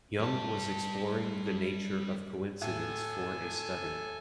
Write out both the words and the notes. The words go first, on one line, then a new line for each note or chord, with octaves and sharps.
Jung was exploring the nature of coincidence for a study.
G3 A5
A2 A4 G#5